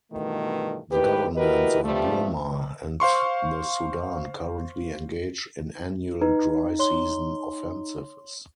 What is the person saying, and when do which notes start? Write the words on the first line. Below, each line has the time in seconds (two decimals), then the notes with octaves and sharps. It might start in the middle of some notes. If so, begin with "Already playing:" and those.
The governments of Burma and the Sudan currently engage in annual dry season offensives.
0.12 G2 B2 D#3 E3 A3
0.92 A2 D#3 G4 B4
1.36 E4 F#4 G4 A#4 B4 D#5
1.84 G2 C3 F3 G3 A3
3.00 C5 F5 C6 C#6
6.22 D#4 B4
6.79 C#5 C6 G7